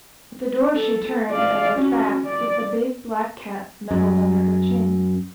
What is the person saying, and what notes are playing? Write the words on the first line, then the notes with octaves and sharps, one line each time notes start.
At the door she turned and looked back, with the big black cat snuggled under her chin.
A4
D5 F5
C#4 F#4
D5
F#2